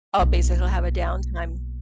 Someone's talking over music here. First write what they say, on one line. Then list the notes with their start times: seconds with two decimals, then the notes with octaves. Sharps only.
Oh, basically I'll have a downtime.
0.18 B1 A#3